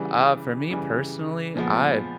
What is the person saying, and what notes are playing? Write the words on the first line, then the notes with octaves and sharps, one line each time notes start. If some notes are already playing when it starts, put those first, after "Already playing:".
Uh, for me personally, I
Already playing: C#3 E3 G3
C#3 E3 G3
A#2 F3 G#3 B3